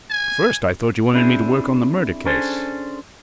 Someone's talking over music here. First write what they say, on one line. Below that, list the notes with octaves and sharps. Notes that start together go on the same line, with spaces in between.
First I thought you wanted me to work on the murder case.
G#5
C4 D4 E4 G#4
C#4 D4 G#4 A4 C5